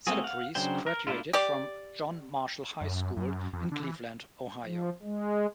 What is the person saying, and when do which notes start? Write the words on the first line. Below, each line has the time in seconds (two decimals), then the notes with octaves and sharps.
Celebrezze graduated from John Marshall High School in Cleveland, Ohio.
0.07 A3 A#3 C4 F#4 G#4
0.24 F5 F#5
0.55 C#3 F#3 D4 C5 G5
0.86 A#4
1.07 A3 A#3 D4 E4 F4
1.33 G4 D5
2.81 F#2
3.17 F#2
3.53 F2
3.72 D3
3.83 E3
4.64 F3
5.03 G#3